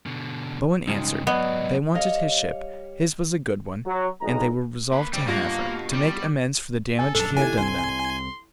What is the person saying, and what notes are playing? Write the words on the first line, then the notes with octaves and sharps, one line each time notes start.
Bowen answered, "they wanted his ship, his was a good one, and they were resolved to have her, to make amends for the damage he had done them."
B2 D3
C#2 G2 G#3 C#4 D#4
G#2 F#3 B3 D5 D#5
G3 C#5 D#5 F5
F#3
B1 E2 G#3 D#4 A#5
A#3 B4
G#2 C#3 G3 C4
G2 A#3 B3 F4 F#4 A#6
G3
A4 G#5
A#1 F#2 D4 A4
D#3 E4 G4 A4 G#5
C2 E3 C4 C6